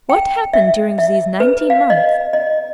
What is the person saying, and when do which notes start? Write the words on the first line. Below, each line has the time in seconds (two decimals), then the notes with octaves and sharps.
What happened during these nineteen months?
0.09 G5
0.53 E5
0.98 E5
1.40 B4
1.70 F5
1.90 D#5
2.33 D#5